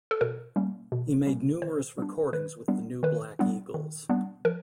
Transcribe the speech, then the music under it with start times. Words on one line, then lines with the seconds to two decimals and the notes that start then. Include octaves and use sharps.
He made numerous recordings with the New Black Eagles.
0.11 A4
0.21 B2 A#4
0.56 G3 A#3 C#4
0.92 B2
1.27 G3 A#3 C#4
1.62 D#3 C5
1.98 G3 B3 D4
2.33 D#3 B4
2.68 G3 B3 D4
3.03 D#3 B4
3.39 G3 B3 D4
3.74 D#3
4.09 G3 B3 D4
4.45 F3 A#4